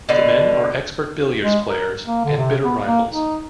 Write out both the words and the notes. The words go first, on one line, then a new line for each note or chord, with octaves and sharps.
The men are expert billiards players and bitter rivals.
B2 D3
G#3
A#4
A#3
D3
C3
B3
A#3
D#4